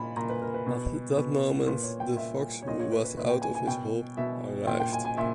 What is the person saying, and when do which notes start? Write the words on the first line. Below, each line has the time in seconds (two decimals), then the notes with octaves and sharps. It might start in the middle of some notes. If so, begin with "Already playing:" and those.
At that moment, the fox, who was out of his hole, arrived.
Already playing: A#2 B5
0.16 A#2 A#5
0.29 B4
0.42 A#4
0.54 B4
0.66 B2
1.17 B2 B4
1.67 A#2 B4
1.83 C#5
2.00 G5
2.16 A#2 E5
2.62 C#5
2.67 A#2 D#5
2.80 C#5
2.92 B4
3.04 B4
3.17 A#2 B4
3.29 G5
3.42 G#5
3.55 G#5
3.67 B2 G5
4.17 B2 E5
4.67 A#2 G5
4.80 G5
4.93 G#5
5.05 G#5
5.17 A#2 E5